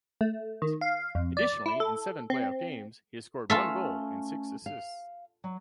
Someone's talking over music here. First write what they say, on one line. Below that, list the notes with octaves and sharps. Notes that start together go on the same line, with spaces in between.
Additionally, in seven playoff games, he scored one goal and six assists.
A3
D#3
F5
F2
D5
E4
A4
C4
A3 C#4 F4 A4 E5 A5
F5
F#3